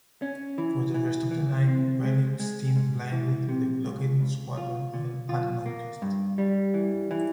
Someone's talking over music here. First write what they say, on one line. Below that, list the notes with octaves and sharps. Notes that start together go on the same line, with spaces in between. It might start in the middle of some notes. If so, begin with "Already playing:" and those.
For the rest of the night, "Raleigh" steamed blindly through the blockading squadron, unnoticed.
C#4
E3
E3
E3
C4
G#3
G#3
G#2
E3
C3
C#2
C#2
F4
A#2
F4
A#3
G2
G3
E3
E3